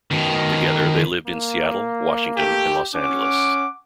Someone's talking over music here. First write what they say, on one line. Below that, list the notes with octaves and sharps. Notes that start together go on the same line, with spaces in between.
Together, they lived in Seattle, Washington and Los Angeles.
B2 D#3
A#3
A3 G4
C#4 F#5 D6